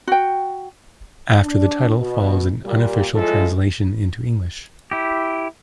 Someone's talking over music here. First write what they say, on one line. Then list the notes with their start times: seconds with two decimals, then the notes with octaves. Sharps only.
After the title follows an unofficial translation into English.
0.07 F#4 G5
1.42 D4
1.99 B2
2.64 A#2 G3
3.14 A2 F3 G#3 F4 A4
4.91 E4 G4